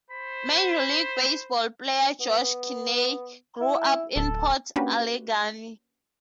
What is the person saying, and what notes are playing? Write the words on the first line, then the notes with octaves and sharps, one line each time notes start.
Major League Baseball player Josh Kinney grew up in Port Allegany.
C5 B5
B3
E4
D1 A4
A#3 C#4 D4 F#4 G4 B4